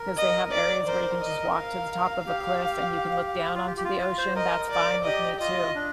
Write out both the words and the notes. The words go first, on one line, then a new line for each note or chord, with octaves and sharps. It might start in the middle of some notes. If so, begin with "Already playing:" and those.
'cause they have areas where you can just walk to the top of a cliff and you can look down onto the ocean, that's fine with me too.
Already playing: A#4
D#5
D5
A#4 C5
D#5
F5
G4
F4
G4
G4
F4
F4
C5
A#4 D#5
D5
G4 D#5
F4 D#5
D4